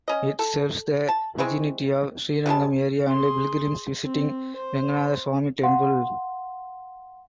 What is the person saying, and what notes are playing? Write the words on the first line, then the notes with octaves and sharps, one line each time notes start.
It serves the vicinity of Srirangam Area and pilgrims visiting Ranganathaswamy Temple.
C#4 D#5
A4
A5
G#3 C4 E4 C#6
C3 G3 G#3 A5
G#4 C6
C4
C5
F5 F#5 C6